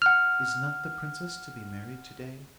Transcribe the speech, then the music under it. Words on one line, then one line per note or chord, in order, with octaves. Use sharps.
'Is not the princess to be married to-day?'
F#5 F6